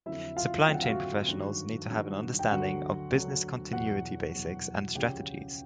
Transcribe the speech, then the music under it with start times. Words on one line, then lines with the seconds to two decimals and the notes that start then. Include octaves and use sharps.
Supply chain professionals need to have an understanding of business continuity basics and strategies.
0.06 F2 D3 F#3 E4 E5
0.36 F4 F5
0.67 F2 D3 F#3 G5
0.74 F#5
0.83 F5
0.89 F#4 F#5
1.28 G2 D#3 F#3
1.90 G2 D#3 F#3
2.39 G5
2.50 D2 D3 F#3 F#4 F#5
3.12 D2 D3 F#3
3.73 E2 B2 F#3 F#4 F#5
4.34 E2 B2 F#3
4.95 C#2 C#3 F3 G4 G5